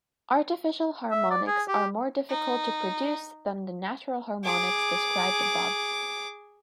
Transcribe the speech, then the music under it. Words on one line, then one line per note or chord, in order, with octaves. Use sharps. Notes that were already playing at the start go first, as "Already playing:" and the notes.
Artificial harmonics are more difficult to produce than the natural harmonics described above.
E5
D5
G#4
G4
D#4
G#4 D6